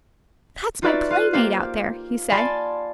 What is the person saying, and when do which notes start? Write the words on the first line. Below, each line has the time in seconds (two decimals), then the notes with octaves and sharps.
"That is my playmate out there," he said.
0.82 D#4 F4 F#4 B4 D5 E5
1.10 F4 F#6 D#7
1.33 A#3 F4 G4 C5 F5
2.32 D5 F5 G#5 A5 B5 C6